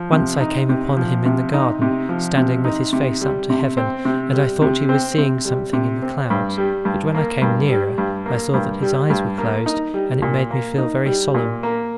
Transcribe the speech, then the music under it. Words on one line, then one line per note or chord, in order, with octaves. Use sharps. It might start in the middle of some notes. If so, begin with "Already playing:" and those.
Once I came upon him in the garden, standing with his face up to heaven, and I thought he was seeing something in the clouds; but when I came nearer, I saw that his eyes were closed, and it made me feel very solemn.
Already playing: F3
C3
D#4
C3
F3
C3
D#4
C3
F3
C3
D#4
C3
G3
C3
C4
C3
G3
C3
C4
C3
G3
C3
C4
G2
G3
G2
A#3
G2
G3
G2
A#3
G2
G3
G2
A#3
D#4
G3
A#2
A#3
D#4
G3
A#2
A#3